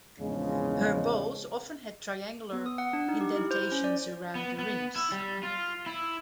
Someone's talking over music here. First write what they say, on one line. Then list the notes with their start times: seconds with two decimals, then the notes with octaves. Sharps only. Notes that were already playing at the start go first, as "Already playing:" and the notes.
Her bowls often had triangular indentations around the rims.
0.20 A#1 E2 G#2 C#3 F3 G#3
2.53 B3
2.66 D#6
2.78 F#5
2.93 D4
3.09 D#4
3.21 G4
3.36 E4
3.51 C5
3.72 C#4
3.84 D5
4.35 B3
4.59 B3
4.96 E4
5.12 G3
5.43 F4
5.86 E4